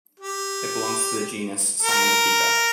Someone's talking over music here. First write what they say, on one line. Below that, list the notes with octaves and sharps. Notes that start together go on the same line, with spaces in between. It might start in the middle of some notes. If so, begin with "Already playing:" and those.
It belongs to the genus "Cyanopica".
G4
A#4